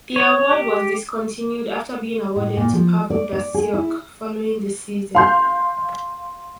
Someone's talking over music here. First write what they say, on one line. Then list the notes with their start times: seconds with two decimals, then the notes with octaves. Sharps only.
The Award was discontinued after being awarded to Pavel Datsyuk following the season.
0.16 C#5
0.51 G4
2.36 A2
2.57 A#2
2.73 F3
3.10 D5
3.33 D5
3.54 G#4
3.74 E4
5.15 F5 C6 G6